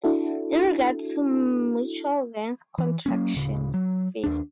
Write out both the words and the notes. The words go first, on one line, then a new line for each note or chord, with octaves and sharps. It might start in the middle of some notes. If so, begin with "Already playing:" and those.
In regards to mutual length contraction, Fig.
D4 E4 F#4 A4
E3
F#3 A#3 C#4
D1 C#3
F#3
D#2 D4